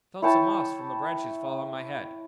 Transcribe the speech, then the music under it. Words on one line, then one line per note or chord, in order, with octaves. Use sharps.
I felt some moss from the branches fall on my head.
E4 C#5 G5 A5